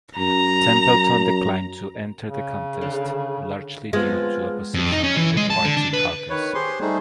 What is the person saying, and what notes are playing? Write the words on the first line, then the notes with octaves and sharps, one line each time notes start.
Templeton declined to enter the contest, largely due to opposition from the party caucus.
F#2 A#5
C#3
D3 F5 A5
F3 G#3 B3 C4 F4
F2
D#4
C#4
E3
G#3
A5
D3
D4
B4
D#3 B4 C#5
G4 G#4 C5 C6
G3 A3 D#4 G#4 C5